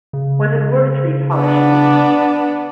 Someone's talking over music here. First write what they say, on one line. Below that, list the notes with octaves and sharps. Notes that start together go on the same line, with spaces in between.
Was it worth re-polishing?
C#3
B3 D4